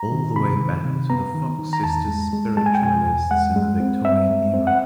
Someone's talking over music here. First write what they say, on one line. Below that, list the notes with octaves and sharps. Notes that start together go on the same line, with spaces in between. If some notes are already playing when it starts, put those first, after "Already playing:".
All the way back to the Fox sisters spiritualists in the Victorian era.
Already playing: A#5
D#3
C3 B5
D#3
C3
B3 A#5
D#3
D#3
A#5
E2 A5
G#3
G#3
G#3 A5
G#5
G5
B2 G#5
E2
G#3 F#5
G#3
C4
C4 E5
G#3
C4
F#5